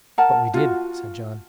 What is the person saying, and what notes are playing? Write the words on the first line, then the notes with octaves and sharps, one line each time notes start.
"But we did," said John.
A#4 F#5 A5
F4 F#4